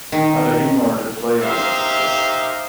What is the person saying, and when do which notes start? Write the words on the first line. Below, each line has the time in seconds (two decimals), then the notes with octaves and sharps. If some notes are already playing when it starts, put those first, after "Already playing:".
Neither he nor the play was a success.
0.12 D#3
1.42 A#3 D#4 G4 C5 E5 F5